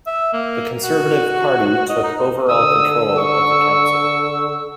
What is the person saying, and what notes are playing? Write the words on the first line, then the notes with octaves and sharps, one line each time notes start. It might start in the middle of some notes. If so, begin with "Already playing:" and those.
The Conservative Party took overall control of the council.
E5
A#3
F#4
D#5
D#4
D3 D#6 E6
C#6